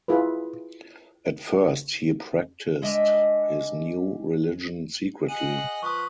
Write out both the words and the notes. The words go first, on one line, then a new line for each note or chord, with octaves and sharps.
At first he practised his new religion secretly.
E4 F4 G#4 B4
G#3 D4 D#5 E5
G#4 D#5 F#5 D#7 F#7
F3 B4 C#6 D#6